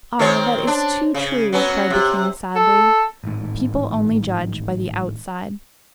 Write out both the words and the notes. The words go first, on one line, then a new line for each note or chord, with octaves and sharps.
"Ah, that is too true!" cried the king, sadly, "People only judge by the outside."
D#3 C4 C#5
D4
C#3
F#3 B3 C#4
C3
A4
A1 G#2